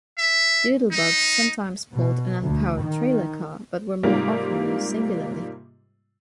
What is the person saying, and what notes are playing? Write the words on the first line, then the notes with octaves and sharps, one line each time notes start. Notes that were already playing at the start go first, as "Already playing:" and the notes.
Doodlebugs sometimes pulled an unpowered trailer car, but were more often used singularly.
E5
D#4
B2
D2
D#3
G#2 C3 G3 A#3 F4